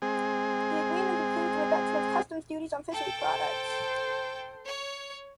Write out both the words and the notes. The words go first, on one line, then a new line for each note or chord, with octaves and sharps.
The agreement includes a reduction of customs duties on fishery products.
G#3 C4 G#4
A4 G5
C5
C#5